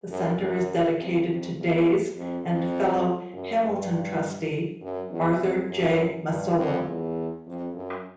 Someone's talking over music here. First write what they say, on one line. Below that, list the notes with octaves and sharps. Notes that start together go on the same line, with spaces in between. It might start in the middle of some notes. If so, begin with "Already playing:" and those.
The center is dedicated to Days and fellow Hamilton trustee Arthur J. Massolo.
F#2
F#2
F2
F2
E2
F2
F2
F#2
G2
F#2
E2
F2
F#2
G2
F2
E2
F2
F#2